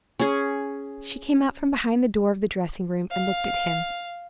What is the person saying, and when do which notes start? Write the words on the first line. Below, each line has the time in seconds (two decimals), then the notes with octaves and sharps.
She came out from behind the door of the dressing room, and looked at him.
0.20 C#4 G#4
3.11 F5